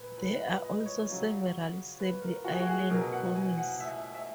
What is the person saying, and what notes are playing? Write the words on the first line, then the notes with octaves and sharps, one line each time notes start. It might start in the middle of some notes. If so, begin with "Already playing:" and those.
There are also several Sable Island Ponies.
Already playing: A#2 B4
B4
B4
D#5
C#5
C#3 F#3
B4
A#4
F#4
G#4
F#4
G#4
B2 F#3 A#4
F#5
G#5
F#5
E5
E5